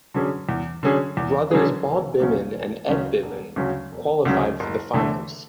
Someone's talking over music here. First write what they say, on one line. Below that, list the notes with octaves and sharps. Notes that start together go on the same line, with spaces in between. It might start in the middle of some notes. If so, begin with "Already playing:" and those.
Brothers Bob Byman and Ed Byman qualified for the finals.
D3 F#3 C#4 G#4
E2
D3 F#3 C#4 G#4
E2
D3 F#3 C#4 G#4
E1
D2 C#3 F#3 C#4
E1
D2 C#3 F#3 C#4
E1
D2 C#3 F#3 C#4
E1
D2 C#3 F#3 C#4
F#1
E2 D3 A3